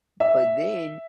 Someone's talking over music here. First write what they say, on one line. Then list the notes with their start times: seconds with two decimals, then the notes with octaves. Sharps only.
but then,
0.20 E5